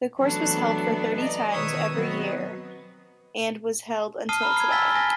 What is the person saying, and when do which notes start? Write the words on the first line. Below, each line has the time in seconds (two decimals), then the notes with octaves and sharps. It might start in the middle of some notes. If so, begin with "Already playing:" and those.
The course was held for thirty times every year and was held until today.
0.20 E3 F#3 A3 B3 D4
1.17 D5 D#5 A#5
1.52 B2 D#3 B4 C#5 D#6 E6
1.93 F#3 B3 C4 D#5
4.29 A5 D#6 F6 C7 D#7 G7
4.42 A#5 B5 F6
4.57 G#6 C7
4.69 G#5 A5 E6 A6 B6 G7
4.95 G#5 A#6